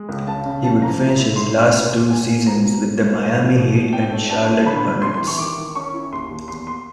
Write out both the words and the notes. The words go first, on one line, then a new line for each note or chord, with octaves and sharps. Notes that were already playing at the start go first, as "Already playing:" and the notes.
He would finish his last two seasons with the Miami Heat and Charlotte Hornets.
Already playing: G#3
C#2
C#3 A5
C#3
F3 A5
G#2 A#5
A#2
E4
F#2 C6
A#3
D#2
D#2
B2 G#5
A#3
B3 A#5
B2
G3
A#2
A#3
F3
B2
B2
D4 G5
A3
D4 A5
A#2
D3 B5
G3
C3 C6
C6
E3
C#6
D#3 D6
D#3
C#4 C#6
E4
D#2 C6
D#2
E2 C6
C6